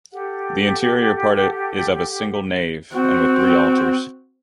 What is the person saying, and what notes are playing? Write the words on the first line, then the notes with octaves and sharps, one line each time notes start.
The interior part is of a single nave and with three altars.
G4 A4 F#5
C4 F#4